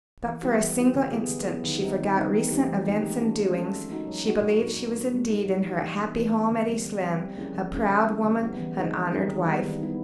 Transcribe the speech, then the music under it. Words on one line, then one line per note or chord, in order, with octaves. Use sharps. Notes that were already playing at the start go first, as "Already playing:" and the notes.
But, for a single instant, she forgot recent events and doings, she believed she was indeed in her happy home at East Lynne, a proud woman, an honored wife.
E3
G3 B3 E4 G4
E3
G3 B3 E4 G4
D3
F#3 B3 E4 G#4
D3
F#3 B3 E4 G#4
D#3
G3 C4 D#4
D#3
G3 C4 D#4
E3
A3 C4 D#4 G4
E3
A3 C4 D#4 G4
G#3
C#4 F4 A4
G#3
C#4 F4 A4
F#3
A#3 D#4 F#4
F#3
A#3 D#4 F#4
A#2
F#3 A#3 D4
A#2
F#3 A#3 D4
G3
A#3 D#4
G3
A#3 D#4
E3
G#3 B3 D4
E3
G#3 B3 D4
D3
G3 C4
D3
G3 C4
F3
A#3 C#4 E4 G#4
F3
A#3 C#4 E4 G#4
D3
G3 B3 E4
D3
G3 B3 E4
E3
G#3 C4 D#4 G#4
E3
G#3 C4 D#4 G#4
D#3
G3 B3 E4
D#3
G3 B3 E4